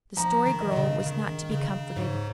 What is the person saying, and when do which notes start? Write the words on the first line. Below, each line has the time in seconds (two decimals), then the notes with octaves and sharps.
The Story Girl was not to be comforted.
0.17 F3 A#5
0.46 D#3
0.61 D#5
0.72 A#2
0.76 C#3
1.00 C#3
1.06 D#3
1.51 C#3
1.96 G#2 C#5